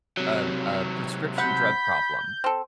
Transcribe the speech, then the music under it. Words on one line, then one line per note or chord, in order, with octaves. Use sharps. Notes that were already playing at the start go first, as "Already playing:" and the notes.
a a prescription drug problem
C3 F#3
F#5 B5 G6
C4 A4